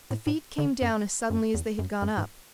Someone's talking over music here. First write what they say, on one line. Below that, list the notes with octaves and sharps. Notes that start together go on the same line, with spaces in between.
The feet came down as suddenly as they had gone up.
A2
A2
D3
F#2
F#2
E2
F#2
F#2
G#2